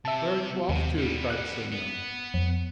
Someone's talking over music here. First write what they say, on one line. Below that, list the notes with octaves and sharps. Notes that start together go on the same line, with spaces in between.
"Where are you off to?" cried Semyon.
C3 E5 A5
D#2 C3
G3 B3
F#6
B3
F2